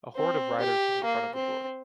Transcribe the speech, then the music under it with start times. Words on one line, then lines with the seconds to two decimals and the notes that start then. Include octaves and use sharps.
A horde of riders was in front of the door.
0.16 C4
0.60 G4
1.05 A#3
1.35 C4